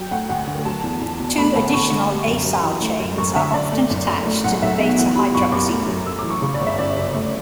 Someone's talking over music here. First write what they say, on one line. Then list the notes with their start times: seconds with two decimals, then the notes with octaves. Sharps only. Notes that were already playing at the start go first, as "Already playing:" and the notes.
Two additional acyl chains are often attached to the beta hydroxy group.
Already playing: F#3 G5
0.11 A3 F#5
0.29 D2 F#5
0.47 D3 F#5
0.65 F#3 A5
0.84 E2
1.01 E2
1.20 B2
1.38 A3 B5
1.56 D2 A5
1.74 D2 C#6
1.91 D3
2.10 G3
2.28 F#2
2.46 F#2
2.64 E3
2.82 A3
3.00 F#2
3.18 F#2 C#6
3.36 D3 E5
3.54 D3 D5
3.72 A3
3.90 F#1
4.08 F#2
4.26 A3
4.44 B1 F#5
4.62 B1 E5
4.80 B2 E5
4.98 E3 F#5
5.16 G3 B5
5.34 F#1 C#6
5.52 F#2 D6
5.70 A3
5.88 F#2
6.06 F#2 E6
6.19 D6
6.24 E3
6.30 C#6
6.42 C#3 C#6
6.54 D5
6.61 G1
6.67 E5
6.78 G1 D5
6.97 F#2
7.14 A3